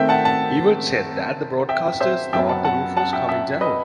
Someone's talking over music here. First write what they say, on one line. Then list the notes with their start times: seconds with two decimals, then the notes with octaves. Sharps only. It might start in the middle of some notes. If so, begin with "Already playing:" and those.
Evert said that the broadcasters "thought the roof was coming down".
Already playing: D#3 A3 C4 E5 G5
0.09 F#5 A5
0.25 F#5 A5
1.69 E5 G5
2.01 C5 E5
2.33 F#2 F#3 B3 E5 G5
2.49 F#5 A5
2.64 F#5 A5
2.97 F#5 A5
3.13 E5 G5
3.29 E5 G5
3.61 B4 D#5